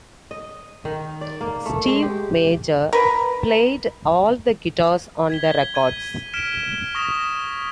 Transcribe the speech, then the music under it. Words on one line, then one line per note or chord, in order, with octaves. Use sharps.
Steve Major played all the guitars on the records.
D#5
D#3
D5
A#3
A3
G#3
G4
A#4 B4
G#6 B6 G7
G#6 D#7
F6 B6 D7 E7 G7
C#6 D#6 A#6 B6 E7